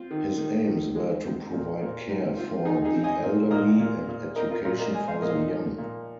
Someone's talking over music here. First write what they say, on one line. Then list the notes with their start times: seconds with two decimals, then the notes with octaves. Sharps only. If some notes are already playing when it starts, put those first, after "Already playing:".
His aims were to provide care for the elderly and education for the young.
Already playing: C4 F4
0.11 D#3
0.38 D#3
0.67 D#3
0.95 G#3
1.23 C4
1.53 A#2
1.81 A#2
2.09 G#3 D#4
2.37 C4 F4
2.65 D#3 D#4 G#4
2.84 D#4 G#4
2.94 C4
3.04 D#5 G#5
3.23 A#2
3.51 A#2 A#4 D#5
3.79 A#2
4.08 A#2
4.36 C4 A#4 D#5
4.50 F4 A#4
4.64 A#2 F4 A#4
4.79 A#4 D#5
4.93 G#3 D#5 G#5
5.08 C5 F5
5.21 A#2 A#4 D#5
5.35 D#4
5.50 F3
5.78 A#2